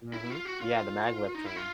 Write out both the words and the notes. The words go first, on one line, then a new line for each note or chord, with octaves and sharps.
Mhm. Yeah, the maglev train.
E4
F4
F#4
F4
D#4
E4
F4